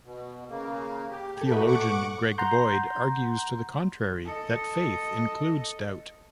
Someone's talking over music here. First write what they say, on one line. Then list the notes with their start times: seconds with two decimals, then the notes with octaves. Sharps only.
Theologian Greg Boyd argues to the contrary, that faith includes doubt.
0.05 B2
0.49 C#3 A#3
1.10 G4
1.37 G#4 A4
1.50 A#2 D#4 F#4 B4 E5
1.67 F#5 C#6 D6
2.38 F#5 A#5 C6 G6
4.25 A4 D#5